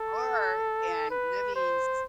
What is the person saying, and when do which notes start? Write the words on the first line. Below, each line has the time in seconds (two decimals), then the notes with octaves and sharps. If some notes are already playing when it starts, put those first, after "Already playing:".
hurt and living s"
Already playing: A4
1.10 B4
1.56 C5